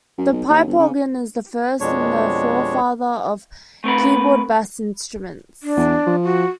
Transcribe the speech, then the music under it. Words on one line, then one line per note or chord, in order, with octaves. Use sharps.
The pipe organ is the first, and the forefather of keyboard bass instruments.
F#2
B1
D#2
G1
C#3
F2 B2 G#3 D4 C#5
A3 C4 A#4 B4
D4
E2
F3
F#4